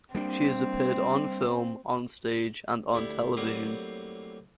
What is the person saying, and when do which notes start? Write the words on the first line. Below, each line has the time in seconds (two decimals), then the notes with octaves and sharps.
She has appeared on film, on stage and on television.
0.15 G3 A#3 C4 D4
2.94 D2 G3 E4
3.37 A2 F#3 G3 A#3 C4